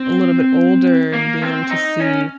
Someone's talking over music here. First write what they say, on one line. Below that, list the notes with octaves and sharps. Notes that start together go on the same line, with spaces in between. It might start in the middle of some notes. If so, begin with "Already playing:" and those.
a little bit older, and being able to see
Already playing: C4
A#3
C4
D#4
C#4